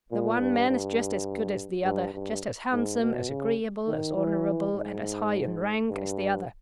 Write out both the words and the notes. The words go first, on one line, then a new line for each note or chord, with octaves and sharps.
The one man is just as good as the other; just as handsome, as agreeable, as honorable, and as high in rank as the other.
A#2
G2
G2
G2
G2
G#2
B2
C#3
D#3
E3
G#2
G2